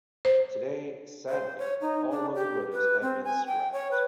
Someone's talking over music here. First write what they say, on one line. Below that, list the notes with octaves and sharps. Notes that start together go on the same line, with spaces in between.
Today Sadly all locomotives have been Scrapped.
C5
C5
C#5
D#4
D4
G4
B4
C4
G#5
G5
C#5
B4